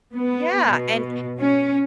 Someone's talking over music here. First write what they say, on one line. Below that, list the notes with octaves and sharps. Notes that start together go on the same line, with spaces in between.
Yeah, and
B3
B2
C#4